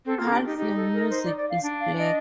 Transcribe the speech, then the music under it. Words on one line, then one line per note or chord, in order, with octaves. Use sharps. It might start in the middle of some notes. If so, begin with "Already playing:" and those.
Half your music is black.
C4 A4
A#3 F4
A4
D4 G4
D#4 G4
D#4 G4
A4
A#4
C5
D5
D5
F5
D4
F5
D#5